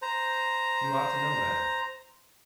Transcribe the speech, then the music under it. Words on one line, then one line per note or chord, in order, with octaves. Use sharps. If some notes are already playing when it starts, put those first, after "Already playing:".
You ought to know better.'
C5 A#5